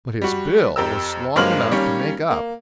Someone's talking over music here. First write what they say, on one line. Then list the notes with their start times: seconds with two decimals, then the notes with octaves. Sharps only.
But his bill was long enough to make up.
0.22 G3 F#4
0.76 F2 G4 A#4 E6
1.36 G2 F3 G#3 A#3 F6 F#7
1.71 D#3 G3 A#3 C#4
2.31 A#3